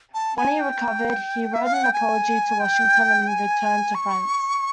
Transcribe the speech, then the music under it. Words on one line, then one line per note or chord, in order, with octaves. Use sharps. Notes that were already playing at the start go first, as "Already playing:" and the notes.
When he recovered, he wrote an apology to Washington and returned to France.
A5
G#5
G5
E5
F5
F#5
G5
G#5
G5
G#5
C#6